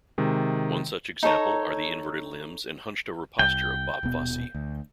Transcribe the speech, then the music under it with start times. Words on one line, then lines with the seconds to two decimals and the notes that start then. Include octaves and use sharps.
One such example are the inverted limbs and hunched-over posture of Bob Fosse.
0.18 C3 D#3 G#3
1.23 D#4 A4 C#5 A#5
3.39 C2 G5
4.03 D#1 B2 B3
4.55 D2